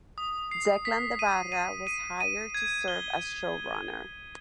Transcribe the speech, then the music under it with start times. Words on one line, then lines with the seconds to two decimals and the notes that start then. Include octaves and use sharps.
Declan de Barra was hired to serve as showrunner.
0.18 D#6
0.51 C7
0.85 B6
1.19 D#7
1.52 D#7
1.87 D#7
2.21 D#7
2.54 G#6
2.88 G7